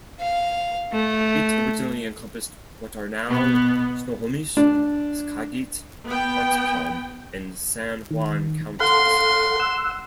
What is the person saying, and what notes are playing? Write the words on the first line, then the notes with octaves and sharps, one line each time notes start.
It originally encompassed what are now Snohomish, Skagit, Whatcom, and San Juan Counties.
F5
A3
B2 B3
D4
B3 G5
D#3
A4 F5 F#5 C6
F#5 E6